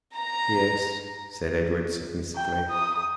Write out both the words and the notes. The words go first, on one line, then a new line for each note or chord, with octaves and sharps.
"Yes," said Edred submissively.
A#5
G5
D#6